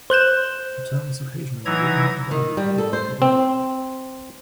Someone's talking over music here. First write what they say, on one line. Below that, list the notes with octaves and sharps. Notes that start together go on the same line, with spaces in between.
The term is occasionally written "valure" or "valoring".
C5 F#6 G6 E7
E3 F#3 D#4 E4 A#5 G#6
D#3
G3
A4
C5
C4